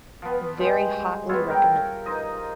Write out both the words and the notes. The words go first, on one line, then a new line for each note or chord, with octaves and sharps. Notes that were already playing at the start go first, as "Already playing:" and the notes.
Very hotly recommended.
F3 B3
G2 G#3 C5
B3 F4 C#5 E5
A#4 G5
D#4 C5 D#5